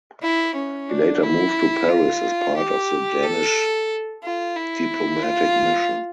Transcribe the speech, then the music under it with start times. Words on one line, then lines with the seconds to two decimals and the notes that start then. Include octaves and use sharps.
He later moved to Paris as part of the Danish diplomatic mission.
0.23 E4
0.55 C#4
0.89 D4
1.23 E4
1.89 F4
2.57 G4
3.23 A4
4.23 F4
4.56 E4
5.23 F4